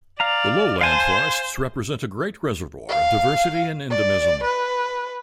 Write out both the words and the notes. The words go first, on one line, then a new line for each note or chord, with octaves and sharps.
The lowland forests represent a great reservoir of diversity and endemism.
D5 F5 A#5
C5 F5 G#5 A5
F5
D5
B4